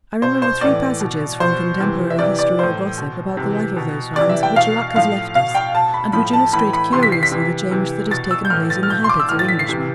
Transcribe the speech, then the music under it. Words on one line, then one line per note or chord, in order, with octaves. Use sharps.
I remember three passages, from contemporary history or gossip, about the life of those times which luck has left us, and which illustrate curiously the change that has taken place in the habits of Englishmen.
B2 C5
C5
A2 E3 D5
B2
B2 C5
C3 E3
E5
C3 E3 D5
D5
A2 E3 C5
B2
C3 E3
B2
C3 E3 D5
E5
G5
B2 F5
A2 F3 F5
B2 F5
G5
B2 A5
B5
A2 F3 B5
A5
A2 E3 B5
B5
C3 E3 C6
B6
C7
B6
C3 E3
C3 E3
B2 A6
E6
G6
A2 E3 F6
A6
F6
B2 G6
C6
D6
E6
A2 E3 F6
A6
B6
C7
C3 E3